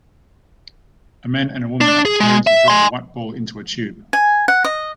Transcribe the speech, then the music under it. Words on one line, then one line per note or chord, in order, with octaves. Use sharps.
A man and a woman are preparing to drop a white ball into a tube.
D4
G#4
G#3
E5
G#5 C6
G#5
F#5
D#5